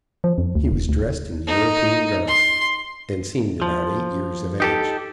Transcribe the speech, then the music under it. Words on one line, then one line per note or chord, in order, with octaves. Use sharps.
He was dressed in European garb, and seemed about eight years of age.
F3
F2
D2
E1
D2
D#4
C6
F3
D#4 G4 A4